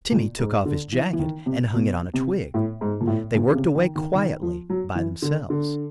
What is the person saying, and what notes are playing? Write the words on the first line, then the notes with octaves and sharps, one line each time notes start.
Timmy took off his jacket and hung it on a twig; they worked away quietly by themselves.
A#2
G#2
D3
E3
E3
D#3
C3
B2
C3
A2
G#2
A#2
A2
A#2
C#3
C3
D#3
D#3
D#3
F3
F#3
E3
D3
D3